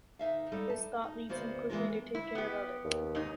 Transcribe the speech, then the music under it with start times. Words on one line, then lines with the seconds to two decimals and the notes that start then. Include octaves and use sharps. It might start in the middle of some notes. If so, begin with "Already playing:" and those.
This thought leads him quickly to take care of others.
0.19 D2 D#4 E5 F5
0.52 G3 D#4 A4
0.70 A5
1.04 D#4
1.29 D2 A#3 B3 F#4 C5 D5
1.70 E3 F3 G#3 B3 F4 A#4
2.15 E4
2.35 B3 G4
2.85 D#2
3.15 G#2 D#4